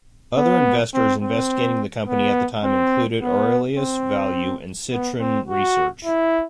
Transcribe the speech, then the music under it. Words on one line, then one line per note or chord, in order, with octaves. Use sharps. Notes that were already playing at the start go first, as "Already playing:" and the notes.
Other investors investigating the company at the time included Aurelius Value and Citron Research.
B3
C4
C4
B3
C4
B3
C4
B3
C4
F#4
E4